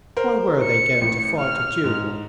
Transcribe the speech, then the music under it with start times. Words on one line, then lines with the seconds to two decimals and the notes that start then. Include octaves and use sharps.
Why were they going to fight a duel?
0.17 A#4 C5
0.64 C#7
1.01 A1
1.39 F6
1.84 G#2